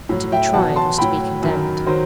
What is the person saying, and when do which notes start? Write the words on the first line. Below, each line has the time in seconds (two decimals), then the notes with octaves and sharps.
And to be tried was to be condemned.
0.09 A2 F#3
0.32 E5 G5
0.54 E2 B2 F#3 F#5 A5
0.76 A5 C6
0.98 A2 F#3 G5 B5
1.42 F#2 D#3 F#3
1.87 D#3 F#3 C5